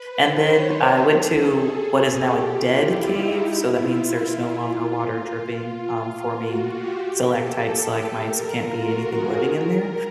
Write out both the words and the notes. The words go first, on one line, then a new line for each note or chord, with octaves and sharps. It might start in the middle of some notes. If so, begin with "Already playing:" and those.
and then I went to what is now a dead cave, so that means there's no longer water dripping, um, forming stalactites, stalagmites, there can't be anything living in there,
Already playing: B4
C5
C#5
B4
A4
G#4
G4
F4
E4
D#4
E4
F4
F4
F4
F#4
G4
G4
A4
A4
A#4
F4
F#4
G#4
A#4